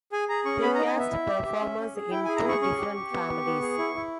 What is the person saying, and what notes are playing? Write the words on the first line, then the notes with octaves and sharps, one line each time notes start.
They cast performers in two different families.
G#4 G#5
G#4 A#5
C#4 C#6
B3 B5
D#4 A#5
G#5
B3 E5
E4
G4
G4
C#4
C#4
G#4
E4 G5
G#4 G#5
A#5
G#4 C#6
C#4 C#6
G4
G4
B3
G4
B3
G#4
E4
E4